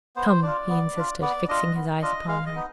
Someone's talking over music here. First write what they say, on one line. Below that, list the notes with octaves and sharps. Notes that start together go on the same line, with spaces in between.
"Come," he insisted, fixing his eyes upon her.
B3 C5
D4 F4 D5
B3
D4 F4
B3 D5
D4 F4 D#5
B3
D4 F4 D#5
G#3 F5
D#5
B3 D#4